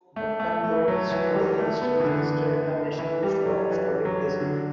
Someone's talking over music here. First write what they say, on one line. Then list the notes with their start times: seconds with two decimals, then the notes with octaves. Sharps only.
The Pembroke Historic District is listed in the National Register of Historic Places.
0.16 A3
0.40 A3
0.64 A3
0.88 F#3
1.11 E3
1.34 G3
1.58 A3
1.82 B3
2.00 E3
2.05 D3
2.99 E3
3.23 G3
3.46 F#3
3.70 E3
4.05 F#3
4.40 D3